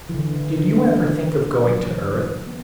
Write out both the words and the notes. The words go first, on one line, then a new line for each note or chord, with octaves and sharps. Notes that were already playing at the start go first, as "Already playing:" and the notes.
"Did you ever think of going to Earth?"
E3
D3
D3
D3
E3
F#3
E3
D3
E3
B3